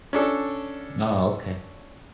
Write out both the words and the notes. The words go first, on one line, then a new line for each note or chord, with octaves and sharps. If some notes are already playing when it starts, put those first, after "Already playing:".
Oh, okay.
C#4 D4 A4